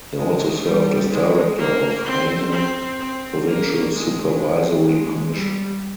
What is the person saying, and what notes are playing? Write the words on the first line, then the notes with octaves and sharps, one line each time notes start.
He also served as director of Hainan Provincial Supervisory Commission.
G#3
G3
G#3
A#3
C4
C4
C4
A#3
G#3
G#3
G#3
G3